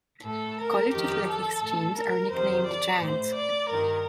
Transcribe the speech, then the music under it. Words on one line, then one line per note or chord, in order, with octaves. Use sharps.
The college athletics teams are nicknamed the Giants.
A2 A4
A#4
F2 D#3 G4
A4
A2
A#4
F2 C3 D#3 C5
D5
A2 C5
D5
G2 D#3 A#4